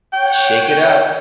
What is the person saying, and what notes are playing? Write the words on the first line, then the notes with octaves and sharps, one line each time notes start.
Shake it up.
C#5 F#5 G5